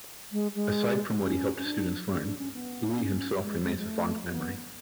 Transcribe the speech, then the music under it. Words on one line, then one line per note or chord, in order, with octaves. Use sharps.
Aside from what he helped students learn, Uli himself remains a fond memory.
G#3
G#3
C#4
C#4
D4
C#4
D4
C#4
B3
C#4
G#3
G#3
G#3
A3
B3